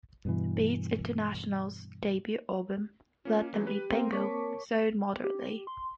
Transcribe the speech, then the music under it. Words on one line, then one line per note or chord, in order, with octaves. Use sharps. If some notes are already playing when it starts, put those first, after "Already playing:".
Beats International's debut album, "Let Them Eat Bingo", sold moderately.
G2 B2 E3
A#3 C#4 F4
E3 F#3 G#3 G#4
G4 B4 D#7
A#3 C4 A#4 G5 C6
A#4 C#5 A5 C#6 D6 B6
G4
C6